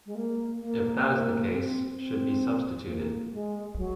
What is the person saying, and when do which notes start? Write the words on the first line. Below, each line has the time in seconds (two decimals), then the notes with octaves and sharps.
If that is the case, should be substituted.
0.06 G#3
0.15 A#3
0.61 A#3
1.06 A#3
1.51 C4
1.96 C4
2.86 A#3
3.32 G#3
3.77 F#3